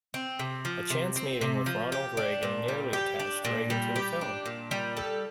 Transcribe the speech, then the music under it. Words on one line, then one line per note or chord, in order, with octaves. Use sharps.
A chance meeting with Ronald Reagan nearly attached Reagan to the film.
C4
C3
F3
C3
C4
C3
F3
G4
D4
A#2
G3
G4
D4
A#2
G3
G4
D4
A#2
G3
A4